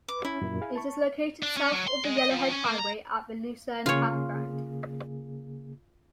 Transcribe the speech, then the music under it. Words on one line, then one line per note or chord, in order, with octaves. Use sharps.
It is located south of the Yellowhead Highway at Lucerne Campground.
B4 D6
C#4 E4
F#2 A#2 A#4
G#4 F5 G#5
A5 C#6
D4
C#4
F#3
C6
G#3
D#5
F3
C#4
A#3
A#5
C#3 A#3 F4 G#4 C#5